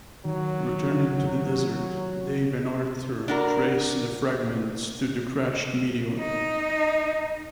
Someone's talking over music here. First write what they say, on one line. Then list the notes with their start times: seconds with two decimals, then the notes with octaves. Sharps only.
Returning to the desert, Dave and Arthur trace the fragments to the crashed meteor.
0.25 D#3 F#3
3.28 D4 F#4 A#4
6.19 D#4